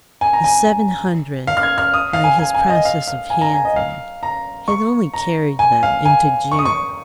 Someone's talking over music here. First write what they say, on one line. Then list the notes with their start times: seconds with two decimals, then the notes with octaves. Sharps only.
The seven hundred, by his process of handling, had only carried them into June.
0.21 G#5
0.33 A#5
0.44 G#5
1.47 F5
1.57 F6
1.63 G#6
1.78 F6
1.94 D#6
2.13 F5
2.24 G#5
2.39 G#5
2.55 G#5
2.70 D#5
2.85 F5
3.07 F5
3.30 G#5
3.41 A#5
3.54 G#5
3.65 D#5
3.76 F5
4.23 A#5
4.68 C#6
5.14 A#5
5.59 G#5
5.83 F5
6.05 G#5
6.52 C#6
6.59 D#6
6.65 C#6